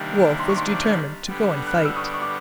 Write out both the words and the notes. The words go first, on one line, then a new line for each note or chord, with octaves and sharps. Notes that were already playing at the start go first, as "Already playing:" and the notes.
Wolfe was determined to go and fight.
Already playing: C3 D#3 G3 A#3 D4
C6
C#6
C6 D6
D3 G3 B3
F#6
F6
E6
C#6 D#6
C#6
D6